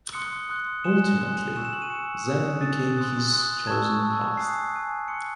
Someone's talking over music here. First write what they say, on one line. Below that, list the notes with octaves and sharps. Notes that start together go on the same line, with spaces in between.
Ultimately, Zen became his chosen path.
C6 D#6 F#6 C#7
C6 D#6 F#6
G#5 C6 F#6 E7
G#5 C6 F#6
G#5 C#6 E6 E7
E7
F#7
D#7
G#5 C#6 E6 C#7
G#5 D#6 F#6
G#5 D#6 F#6 A6
C6 D#6 F#6
C6 D#6 F#6
A5 C#6 E6 G#6
A5 C#6 E6
G#5 D#6 F#6 C7
G#5 D#6 F#6
C6 D#6 F#6 C#7